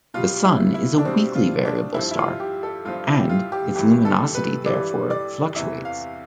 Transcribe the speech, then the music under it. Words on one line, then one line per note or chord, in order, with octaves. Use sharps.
The Sun is a weakly variable star, and its luminosity therefore fluctuates.
B2 G3 F4
E4
E4
D4
B2 G3 C4
F4
D4
G2 F3 E4
E4
F4
G4
A4
G2 F3 F4
E4
G4
F4
G4
G2 E3 G3 G4
A4
B4
G2 E3 G3 D5
D5
E2 C3 E3 E5
F5